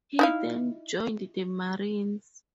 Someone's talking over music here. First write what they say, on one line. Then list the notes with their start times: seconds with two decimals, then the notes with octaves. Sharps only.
He then joined the Marines.
0.19 D#4 E4 F5